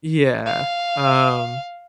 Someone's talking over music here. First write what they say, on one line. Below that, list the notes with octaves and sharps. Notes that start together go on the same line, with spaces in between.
Yeah, um,
F5